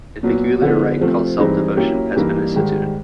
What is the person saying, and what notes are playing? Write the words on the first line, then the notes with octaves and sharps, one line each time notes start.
A peculiar rite called self-devotion has been instituted.
A#2 F#3 B3
D3 F3 G#3 B3
C3 F3 A3 C4
G2 E3 G#3 C4 D#4
F#3 A#3 C#4 E4 G4
G2 E3 G3 A#3 D#4
G#2 D#3 G3